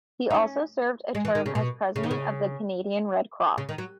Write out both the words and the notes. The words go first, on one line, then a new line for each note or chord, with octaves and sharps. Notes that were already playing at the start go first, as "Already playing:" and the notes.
He also served a term as president of the Canadian Red Cross.
D#4
C#4
G#3
E3
D#3
C#3
B2
C#3
D#3
C#3
C#3
D#3
F#3